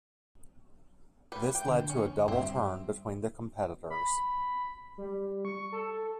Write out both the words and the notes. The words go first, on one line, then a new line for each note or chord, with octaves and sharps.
This led to a double turn between the competitors.
G3 B4
G5
D3
C#4
G2 C4 E5
B5
G3
C#6
A4